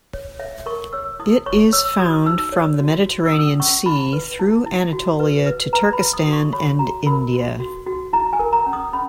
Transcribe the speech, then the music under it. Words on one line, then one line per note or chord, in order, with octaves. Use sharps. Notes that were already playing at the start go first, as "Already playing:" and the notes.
It is found from the Mediterranean Sea, through Anatolia to Turkestan and India.
C#5
C#5 E5
A#4 C#6
C#5 E6
E4 D#6
C#5 C#6
C#5 E6
F#4 D#6
D#4 E6
C#5
F#4
F#4
E6
C#4 D#6
C#4 C#6
E4 B5
B4
E4
E4
F#4
B4
B4
B4 A#5
B5
B4
D#6
F#4
C#6
C#5 B5
F#4 A#5
A#4 B5
F#4
F#4
F#4
E4 A#5
G#5
A#4
A#5
C#4
D#6
C#4 B5